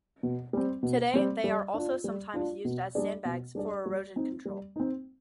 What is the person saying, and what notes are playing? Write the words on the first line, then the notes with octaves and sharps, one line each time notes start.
Today they are also sometimes used as sandbags for erosion control.
B2
G3 C4
B2
G3 C4
G3
D4 F4
G3
D4 F4
B2
G3 D4 G#4 D5
B2
G3 D4 G#4 D5
G3
C4 D#4
G3
C4 D#4